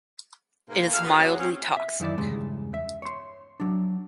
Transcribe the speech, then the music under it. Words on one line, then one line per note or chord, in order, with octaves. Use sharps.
It is mildly toxic.
G#2 B2 A#3
D#2 A#2 A4 F5
C#4 F4 F#4 G#4 B4
E2 F#3 A3 C#4 F#4 G#4
C4 C#4
E5
F#2 D#3 E3 E4 D5
E2 G2 C#3 G#3
E5
C#5 C6
F#3 D4